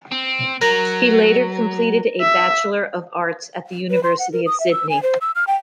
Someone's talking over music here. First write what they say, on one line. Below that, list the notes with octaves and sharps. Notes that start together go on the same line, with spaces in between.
He later completed a Bachelor of Arts at The University of Sydney.
C4
F#3 A#4
E5
B4
C6
F#5
A#4
D#6
E5
E6
G#5
C5
E6
F6
G5